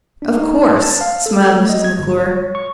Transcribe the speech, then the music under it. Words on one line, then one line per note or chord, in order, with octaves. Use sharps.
"Of course," smiled Mrs. McClure.
D4
D#4
A5
F5
A4
G#6
A3
D#5
G#6
G1
C#5
C#6